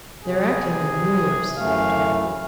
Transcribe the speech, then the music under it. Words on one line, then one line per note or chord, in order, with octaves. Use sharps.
"They're acting on yours," I retorted.
C3 G#4
F#2 E3 A3 F5